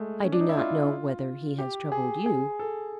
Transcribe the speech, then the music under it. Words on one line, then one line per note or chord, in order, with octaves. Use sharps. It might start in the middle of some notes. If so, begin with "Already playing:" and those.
I do not know whether he has troubled you.
Already playing: G#3 A3
C#4
D4
D#4
E4
F4
G4
G#4
G#4
A4